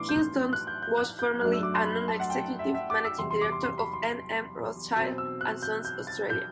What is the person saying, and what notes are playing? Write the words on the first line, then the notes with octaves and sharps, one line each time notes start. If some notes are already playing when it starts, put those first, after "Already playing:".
Kingston was formerly a Non-Executive Managing Director of N M Rothschild and Sons Australia.
Already playing: A2 E3 B3 D4 C6 D6
G6
F#6
G6
G6
F#6
G6
F#2 F#3 A3 D4 F#6
E6
D6
C6
B5
A5
F#5
G5
E5
E5
D6
E6
E2 C3 G3 C6
C6
D6
C6
C6
B5
C6
B2 F#3 C4
E6
F#6
G6
G6
A6
G6